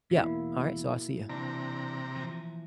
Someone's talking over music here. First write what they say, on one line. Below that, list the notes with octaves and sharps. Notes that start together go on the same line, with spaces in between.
Yep, alright, so I'll see ya,
E2 B2 A#3 E4
C3 E3 D4 A#5
E3 F3